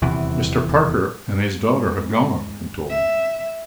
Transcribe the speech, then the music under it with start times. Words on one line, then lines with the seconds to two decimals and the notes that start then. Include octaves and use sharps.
"Mr. Parker and his daughter have gone," he told me.
0.02 D#1 E2 C3 E3
1.56 G#2
2.90 E5